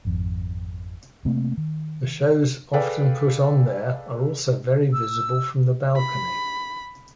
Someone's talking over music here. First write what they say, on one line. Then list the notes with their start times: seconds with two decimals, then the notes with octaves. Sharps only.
The shows often put on there are also very visible from the balcony.
0.05 G#1 F2
1.25 C3 A3 A#3 C4
1.57 D#3
2.73 G#4 A4 B4 D5 F5 G5
4.92 E6
5.96 B5